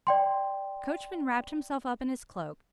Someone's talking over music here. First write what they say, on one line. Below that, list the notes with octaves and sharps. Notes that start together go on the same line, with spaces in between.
The coachman wrapped himself up in his cloak.
D5 G5 C6